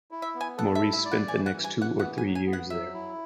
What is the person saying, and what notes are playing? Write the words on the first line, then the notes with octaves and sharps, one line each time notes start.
Maurice spent the next two or three years there.
E4
E5
B3
G#5
A4 F#5
E5
E4
E5
D5
F#5
E3 G#5
F#5
E3
G#5
E3
F#5
B3 F#5
G#5
F#3
G#5
B3
F#5
F#3 E5
E4